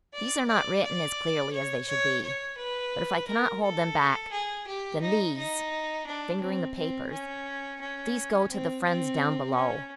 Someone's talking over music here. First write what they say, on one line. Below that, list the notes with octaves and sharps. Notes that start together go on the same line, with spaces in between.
"These are not written as clearly as they should be; but if I cannot hold them back, then these"--fingering the papers--"these go to the friends down below!"
D5
D5
D5
C#5
C#5
C#5
B4
A#4
A4
G#4
G4
D#4
D#4
D4
C4
C4
C#4
C#4
C4
C4
C#4